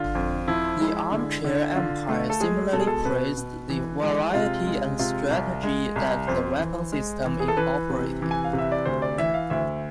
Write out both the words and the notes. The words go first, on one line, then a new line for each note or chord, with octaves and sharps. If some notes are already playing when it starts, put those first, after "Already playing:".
The Armchair Empire similarly praised the variety and strategy that the weapon system incorporated.
Already playing: D3 F4
F2
F3 E4
G#3
D3
D3
D3 F4
A3
A4
G#3 G#4
B2 A4
G#4
A4
B2 B4
B2
E3
G#3
C3 F4
G#3
C3 F4
C2
G#3
C2
F2 C5
E3
G#3
E3
G#4
A4
E3 B4
C3
E3
G#5
F5
C3
E5
D5
D2 C5
D5
E3 E5
F5
D2 E5